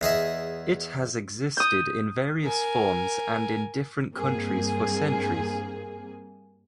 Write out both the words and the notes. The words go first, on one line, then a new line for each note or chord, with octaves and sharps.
It has existed in various forms and in different countries for centuries.
E2 G#4 D#5 E5
D#6 G6
A#4 G#5
G2 A#3 C4 G#4